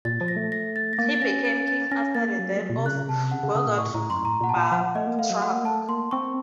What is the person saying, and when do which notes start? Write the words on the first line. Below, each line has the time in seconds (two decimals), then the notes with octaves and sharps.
He became king after the death of Gurguit Barbtruc.
0.05 A#2 A6
0.21 F3
0.28 A#6
0.36 A3
0.52 A#6
0.76 A6
0.93 A#6
0.98 A#3 A6
1.16 A6
1.22 C#4 A#6
1.45 A6
1.68 A6
1.91 C#4 A#6
2.15 A#3 A6
2.39 F#3
2.56 A3
2.62 F#3
2.70 A#2
2.78 C3
2.85 C#3 F#6
3.08 C3 A5
3.31 C#3 F#5
3.43 C#3
3.55 C#3 D#6
3.67 A#2
3.78 A2 C#6
3.94 A2 A#5
4.10 F#2 C6
4.25 A2 A#5
4.41 A#2 F#5
4.49 A5
4.56 A#2
4.72 F3 F#5
4.95 A3 D#5
5.07 A#3
5.19 A3 F5
5.30 F#3
5.42 A3 F#5
5.54 A#3
5.65 A3 A5
5.88 A#3 C6
6.11 C4 C#6